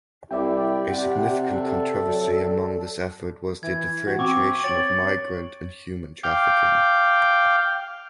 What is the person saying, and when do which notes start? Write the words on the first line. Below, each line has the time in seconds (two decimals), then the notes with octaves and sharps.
A significant controversy among this effort was the differentiation of migrant and human trafficking.
0.31 C2 E4 G4 D5 E5 G5
0.89 C3 F#5
1.47 A4
2.04 F#3
3.63 E3 G#6
4.07 F#4
4.19 C4 C#6 D6
4.64 C#5 A6 D7 F#7
6.23 F5 G5 D6